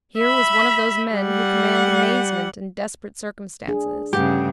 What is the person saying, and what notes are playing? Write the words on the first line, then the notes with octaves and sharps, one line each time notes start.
Here was one of those men who command amazement in desperate circumstances.
E5 B5
G3 F#5
D4 G#4
G2 C#3 A3 G4 F#5